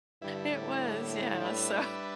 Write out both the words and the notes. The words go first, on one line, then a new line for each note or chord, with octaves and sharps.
it was, yeah, so,
G2 D3 G3 E4
A2
G3 D4 B4 E5